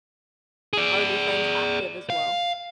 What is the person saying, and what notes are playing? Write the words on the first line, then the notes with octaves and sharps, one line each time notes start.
Are your friends active as well?
G#4 D5
F5